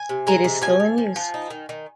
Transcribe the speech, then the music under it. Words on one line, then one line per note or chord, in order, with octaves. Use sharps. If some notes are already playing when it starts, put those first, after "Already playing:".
It is still in use.
Already playing: G#5
C3
G#3 A#5
C3
F3 G#5
F3
F3
F3
D#4
D#3
D#3